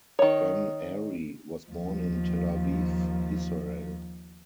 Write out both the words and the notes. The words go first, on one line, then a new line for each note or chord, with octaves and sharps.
Ben-Ari was born in Tel Aviv, Israel.
D#3 C#5
D#2 F3